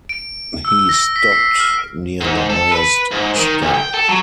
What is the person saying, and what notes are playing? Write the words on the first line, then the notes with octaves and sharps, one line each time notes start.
He stopped near the highest step.
D7
E6
A#6
B6
C7
F6
G#2
A4
B4
G#2
D#3
B1
G5
A4
F#3